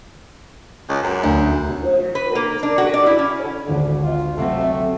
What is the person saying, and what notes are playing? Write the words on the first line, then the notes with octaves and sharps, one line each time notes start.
The world proletariat offered us a home.
C#2
F#2
D2
B4
A#3
D4
F#4
D5
E4
C#4
G#1 D2 D4
F4
C3 F#3 A3 C4